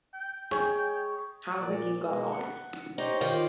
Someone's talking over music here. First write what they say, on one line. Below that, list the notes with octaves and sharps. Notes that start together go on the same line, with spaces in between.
How have you got on?
G5
G#4 C#5
A#2 D5
B2 G#3 A#3
F#5
D#4 G4 C5 C#5
D#3 F4